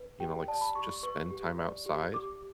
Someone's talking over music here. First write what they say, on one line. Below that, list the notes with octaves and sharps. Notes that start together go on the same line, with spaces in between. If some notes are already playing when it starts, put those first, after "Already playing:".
you know, like, s just spend time outside,
Already playing: B4
G4 G5
D5 A5
B5
G4 C#6
C#6
B4 C#6
G4
D5
G4
G4 D6